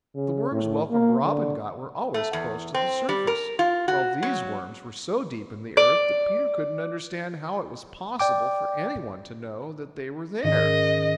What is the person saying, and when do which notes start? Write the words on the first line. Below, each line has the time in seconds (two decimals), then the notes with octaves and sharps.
But the worms Welcome Robin got were always close to the surface, while these worms were so deep in the earth that Peter couldn't understand how it was possible for any one to know that they were there.
0.16 C#3
0.52 A2
0.91 A#3
1.24 D3
2.14 A3
2.33 E2
2.74 C4
3.09 G3
3.27 A#4
3.59 F4
3.88 F#4
4.23 F#3
5.77 D5
8.20 D5 G5 D6
10.43 G#2 D#3 C#4 D#5